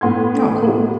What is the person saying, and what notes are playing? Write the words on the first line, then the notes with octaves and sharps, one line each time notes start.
Oh, cool.
A2 B3 C6 G#6